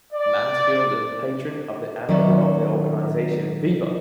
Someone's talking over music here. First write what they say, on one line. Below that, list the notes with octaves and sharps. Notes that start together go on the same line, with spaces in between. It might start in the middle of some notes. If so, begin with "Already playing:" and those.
Mansfield is a patron of the animal welfare organisation Viva!
D5
D#3 F#3 C#4 D5 E5